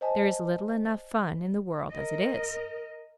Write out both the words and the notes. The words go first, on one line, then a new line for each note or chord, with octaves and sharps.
There is little enough fun in the world as it is.
C5 D#5 G#5 A5
A#4 D#5